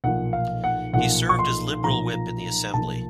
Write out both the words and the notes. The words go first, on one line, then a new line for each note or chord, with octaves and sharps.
He served as Liberal whip in the assembly.
B1 A#2 F3 F#5
F5
F#5
B1 A#2 F3 F#5
C#6
C6
B1 A#2 F3 A#5
B1 A#2 F3 A5